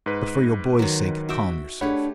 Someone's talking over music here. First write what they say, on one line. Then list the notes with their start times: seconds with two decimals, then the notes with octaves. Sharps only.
But for your boy's sake, calm yourself.
0.06 G#2 B4
0.79 D#3 F#3
1.29 F#4 E5 G5
1.81 A3 D4 G4 G#4 C#5 F#5 B5